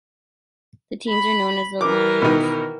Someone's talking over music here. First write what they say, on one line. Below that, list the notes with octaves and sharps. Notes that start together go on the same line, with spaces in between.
The teams are known as the "Lions".
B5
E3 A#4 D6
B2 D#3 D#4